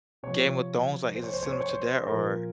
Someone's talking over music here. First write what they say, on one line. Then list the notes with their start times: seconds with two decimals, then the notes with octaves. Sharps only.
Game of Thrones, like, is it similar to that? or
0.23 C3 F3 C#5
1.15 C5
1.24 C#5
1.33 C5
1.43 C#5
1.52 C5
1.61 C#5
1.69 C5
2.07 A#2 F3 A#4